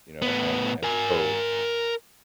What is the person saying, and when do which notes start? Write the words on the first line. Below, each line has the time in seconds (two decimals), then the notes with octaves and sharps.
You know, and and so
0.22 A2 B3
0.83 A#4 G#5